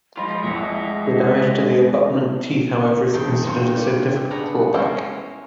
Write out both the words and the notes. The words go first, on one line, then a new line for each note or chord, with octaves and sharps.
The damage to the abutment teeth, however, is considered a significant drawback.
F3 G#3 F4 D#5 B5
A1 F2 E5 F#5 A#6
E2 G2 C#3 D#4 A4 G5
G2 C4 F4 A#4 C#5 E5
G4 B4 D5
C#3 B3 D4 F#5 A#5
G#3 C#4 E4 A4 A#4 C5
A#4